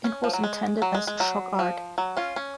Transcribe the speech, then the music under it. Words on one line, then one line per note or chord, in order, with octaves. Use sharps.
It was intended as "shock art".
C#4
F3
F#3
G#3
F#3
G#3
G#3
F#3
F3
F#3
C#4 F4
C#4